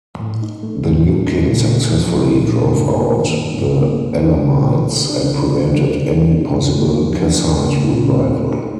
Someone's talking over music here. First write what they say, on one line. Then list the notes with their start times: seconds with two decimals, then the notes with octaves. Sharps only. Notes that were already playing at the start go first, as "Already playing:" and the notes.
The new king successfully drove out the Elamites and prevented any possible Kassite revival.
0.20 A2
0.42 D#4
0.63 A3
0.84 A2
1.05 A2
1.27 D#4
1.48 A#2
1.69 A3
1.91 F3
2.11 D#4
2.33 A#2
2.54 A3
2.76 G2
2.97 A#3
3.18 D#3
3.40 G2
3.61 G2
3.81 A#3
4.03 D3
4.24 D4
4.46 A3
4.67 D3
4.89 D3
5.09 D4
5.31 C3
5.52 D4
5.74 G3
5.94 C3
6.16 C3
6.37 D4
6.59 G2
6.80 A#3
7.01 F3
7.22 D4
7.43 G2
7.65 A#3
7.86 A#2
8.07 C4
8.28 A3
8.50 D#4